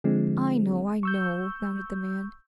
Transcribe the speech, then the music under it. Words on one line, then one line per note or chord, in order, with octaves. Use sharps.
"I know, I know," nodded the man.
D3 F3 G#3 C4
C#6 E6 G6